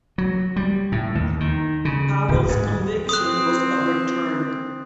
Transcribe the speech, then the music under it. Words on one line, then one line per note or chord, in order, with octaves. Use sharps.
Powell's conviction was overturned.
F#3
G3
A2
D#2
D#3
C#3
D1
G#2
C4 D#6 F#6